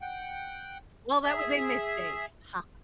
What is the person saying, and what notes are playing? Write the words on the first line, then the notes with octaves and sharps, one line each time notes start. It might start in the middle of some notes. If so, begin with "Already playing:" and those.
well, that was a mistake, ha
F#5 G5
G#4 E5